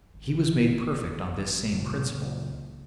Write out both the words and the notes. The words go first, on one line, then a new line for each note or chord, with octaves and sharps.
He was made perfect on this same principle.
G#1
C#2 A#2